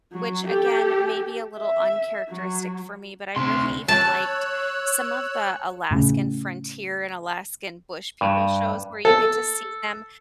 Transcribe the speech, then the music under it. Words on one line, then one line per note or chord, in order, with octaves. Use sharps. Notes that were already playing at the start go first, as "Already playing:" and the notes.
which again, maybe a little uncharacteristic for me, but I really even liked some of the Alaskan Frontier and Alaskan Bush People shows where you get to see them
F#3
G4 A4
E5
F#3
D2 C3 C6
C#5 A5 E6 F#6
A2 C#3
G2
A4